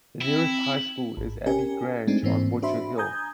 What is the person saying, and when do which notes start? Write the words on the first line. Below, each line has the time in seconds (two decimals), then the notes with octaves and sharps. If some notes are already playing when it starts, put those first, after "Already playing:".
The nearest high school is Abbey Grange on Butcher Hill.
0.21 C4 E4
1.17 G#1
1.46 C#4 G4 A#4 G#5
2.07 G#3 A3 C4 D4 D#4
2.23 G#2 E3 A#3 C4
2.62 D4 F#4 C5 E5 B5 C6
2.98 G#5 A#5 D#6 G6 G#6